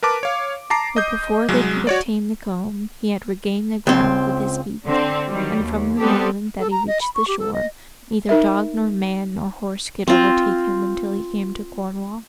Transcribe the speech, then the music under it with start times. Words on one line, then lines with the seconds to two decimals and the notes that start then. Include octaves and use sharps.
But, before they could obtain the comb, he had regained the ground with his feet, and from the moment that he reached the shore, neither dog nor man nor horse could overtake him until he came to Cornwall.
0.03 A#4 B4 A5 D6
0.23 C#5 F5
0.70 A5 A#5 D6 C7
0.96 D#5 D#6 G6
1.49 C2 F#3 G#3
1.87 F#4 C#5 D5
3.87 C#2 C4
4.85 D3 C4
5.29 D#3 F#3 G3
5.62 D#2
5.99 G3 B3 C4 G4 A4
6.59 A4
6.71 A#5
6.88 D#5
7.01 B5
7.15 C#6
7.28 G4
7.39 A4
7.54 D#5
8.29 D#4 A#4 E5
10.07 C4 F4